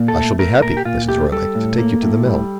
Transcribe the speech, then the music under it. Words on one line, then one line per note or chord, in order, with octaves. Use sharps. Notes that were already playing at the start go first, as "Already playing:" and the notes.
"I shall be happy, Mrs. Roylake, to take you to the mill."
Already playing: A#2
A4
A3
A3 A#4
A#2 A#4
G4
A#2 F4
A3 G4
G3 A4
A2
A#3
A2
G3